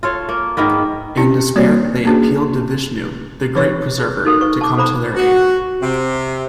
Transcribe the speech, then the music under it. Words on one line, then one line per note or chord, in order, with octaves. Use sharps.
In despair, they appealed to Vishnu, the great Preserver, to come to their aid.
F4 A4 C#5
A#3
G#2 D#3 A#3 B3
C4 C#4 E4 G4
G3 A#3 C4 F#4 C#5 D5
A#3 C#4 D4 F#4 G#4
E3 D#4 B4 C#5 C#6
G#4
D#4 F#4 A4 A#4
B4 C#6
A5 D6
A4 C5 A#5 B5 D6
F#4
C3